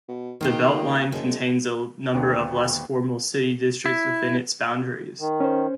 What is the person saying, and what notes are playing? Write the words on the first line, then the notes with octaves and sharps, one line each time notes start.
The Beltline contains a number of less formal city districts within its boundaries.
B2
D#3 A#3 F4 G4
F#1 G#3 A3
D#1 D2 D3 B3 D4
E4
D#3
C#4 C5